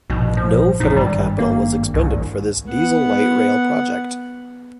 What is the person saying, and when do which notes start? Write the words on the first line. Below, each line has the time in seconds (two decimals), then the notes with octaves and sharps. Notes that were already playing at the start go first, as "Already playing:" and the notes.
No federal capital was expended for this diesel light rail project.
0.10 A#1 G#2 B2
0.37 F3
0.80 A1 F2 A#2 D#4
0.96 G#1 G2 G3
1.39 A#3
1.94 C2
2.69 B3 F#5